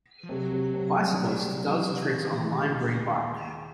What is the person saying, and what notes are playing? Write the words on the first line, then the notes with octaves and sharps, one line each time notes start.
A bicyclist does tricks on a lime green bike.
F3
C3 F#3
C3
C3
G3
G3
C3
E3
C3
D#3 F3
F3
E3 G#3
D#2 D#3